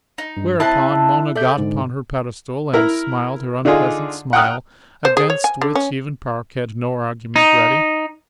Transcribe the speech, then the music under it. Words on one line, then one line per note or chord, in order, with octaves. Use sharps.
Whereupon Mona got upon her pedestal and smiled her unpleasant smile, against which even Park had no argument ready.
D#4
G2
C4 E4 D#5 E5 A5 F#6
A4 D5 E5 G6
G#2 D3
E4 A#4
D3 D4 D#4 F4 G#4
F#5 G5 A#5 D#6 F6 F#6
C5
G#4
C#5
G#5
D3
C#4
D#4